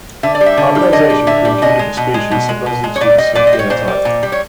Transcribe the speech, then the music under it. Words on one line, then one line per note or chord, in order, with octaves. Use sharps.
Hybridization between two different species sometimes leads to a distinct phenotype.
D3 E5
D5
G3
E5
D3
G3
D3 D#5
G3
D3 E5
G3
B2 D#5
G#3
B2
G#3
B2
G#3
B2
G#3
C#5
A#2 D5
G3 D#5
A#2 D5
D#5
G3
C#5
A#2 C5
G3
A#2
G3
C#5